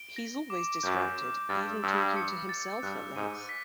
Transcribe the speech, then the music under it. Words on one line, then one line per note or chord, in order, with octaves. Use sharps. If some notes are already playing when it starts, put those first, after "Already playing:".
He's always distracted, even talking to himself at length.
Already playing: D7 G7
A#6
D6
F#2 G6
D6
G2 A6
G2 E6
C#7
A6
G2 F#6
G#2 D#7
B6